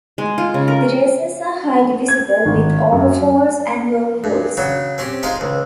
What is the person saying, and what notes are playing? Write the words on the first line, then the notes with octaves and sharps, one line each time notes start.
The races are highly visible, with over-falls and whirlpools.
G#3
F4
C#3
A#4
G#6
G#1
F#2
G2
C#3 F#3
C4 C#4 G4
G#3 D#4 F4 G#4 C5
C#2